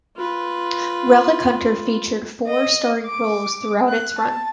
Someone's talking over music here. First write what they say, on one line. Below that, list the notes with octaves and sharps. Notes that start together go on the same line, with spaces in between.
"Relic Hunter" featured four starring roles throughout its run.
F4 B4
D#5
D6
F#6
A5